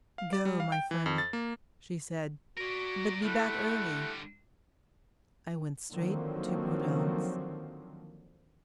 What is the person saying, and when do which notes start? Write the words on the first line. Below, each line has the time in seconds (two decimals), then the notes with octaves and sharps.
"Go, my friend," she said; "but be back early." I went straight to Prudence.
0.18 F5
0.33 D5
0.45 G3
0.60 F5
0.72 G5
0.91 E3
1.06 F2
1.18 A6
1.33 A#3
2.57 F#4 A#4 D5
3.23 D3 G3 A3 E4 F#5
5.93 D3 D#3 F3 F#3 A#3 C4